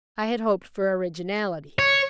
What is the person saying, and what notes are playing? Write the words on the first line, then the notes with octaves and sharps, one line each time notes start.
I had hoped for originality.
C#5